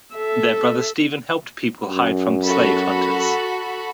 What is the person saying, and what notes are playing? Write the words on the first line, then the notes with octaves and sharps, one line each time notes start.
Their brother Stephen helped people hide from slave hunters.
A4 E5
F#2
F#4 A4 B5